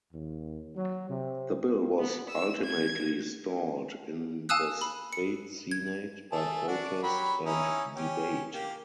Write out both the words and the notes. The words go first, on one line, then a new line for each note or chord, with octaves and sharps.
The bill was ultimately stalled in the State Senate by protest and debate.
D#2
F#3
C3
B3
E6
G#6
F5 G#5 A5 D#6 E6 F#6
B5
C#7
G#6
A3 G#4 A5
D4 F#4
F#3 G4 B5
C#4 D#4 E4
C#4 G4
A#3 G4